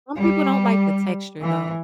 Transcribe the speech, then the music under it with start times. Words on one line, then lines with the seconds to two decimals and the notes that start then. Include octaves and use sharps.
some people don't like the texture though,
0.19 G3
1.41 E3